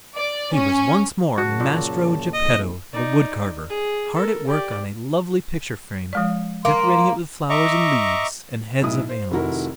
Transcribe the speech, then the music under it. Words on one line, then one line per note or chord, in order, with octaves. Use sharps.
He was once more Mastro Geppetto, the wood carver, hard at work on a lovely picture frame, decorating it with flowers and leaves, and heads of animals.
D5
C#4
F#2 C#3 F#4 A5
A#2
F2 G#2 D#5
D#4 D5
G#4
A4 A#4
G4 D5
F3 G#3 D5
A#3 C6
D#5 E5 A#5 C#6 D6
B1 A2 E4 D#6
C5
F1 D#3 E4 F#4 A#4